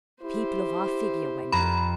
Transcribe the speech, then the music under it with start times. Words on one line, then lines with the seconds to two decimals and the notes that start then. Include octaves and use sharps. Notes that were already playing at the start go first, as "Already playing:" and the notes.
'People of our figure, Wendy.'
0.23 E4 G4 C5
1.52 F2 A#5 B5